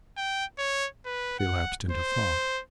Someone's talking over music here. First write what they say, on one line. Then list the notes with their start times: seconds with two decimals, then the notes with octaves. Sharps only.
She lapsed into thought.
0.17 G5
0.59 C#5
1.06 B4
1.39 F#5
1.91 C5